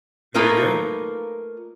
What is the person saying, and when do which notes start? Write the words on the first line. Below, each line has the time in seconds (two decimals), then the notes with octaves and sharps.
There you go,
0.34 A3 A#3 D#4 F4 A#4 B4